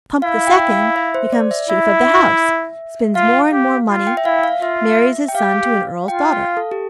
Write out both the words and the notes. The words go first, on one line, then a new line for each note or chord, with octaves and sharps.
Pump the Second becomes chief of the house, spins more and more money, marries his son to an Earl's daughter.
E4 F5
F5
G5
F5
E5
C5
D5
E5
E4 E5
F4 F5
G4
F4
G5
E5
E4 F5
F5
F4 E5
G5
G4 F5
F4 G5
F5
A4
G4